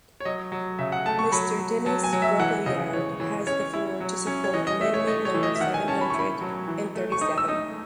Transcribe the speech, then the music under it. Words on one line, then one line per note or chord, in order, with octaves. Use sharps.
Mr. Denys Robiliard has the floor to support amendment number seven hundred and thirty-seven.
C#5
F#3 D#5
F#3
C#3 E5
F#5
A3 A5
C#6
F#3 B5
F#3
F#3 A5
G#5
F#3
E5
E3 F#5
C#3 D#5
E3 C#5
E3 C#5
C#4 C#5
E4
F#3
C#4
C#5
E3 D#5
D#5
A3 E5
C#5
A3 D#5
C#5
E3
D#5
E5
D#3 F#5
G#5
C#4 A5
B5
C#6
E4 B5
F#3
E3
A3
C#6
D#4 D#6
E6
D#4 D#6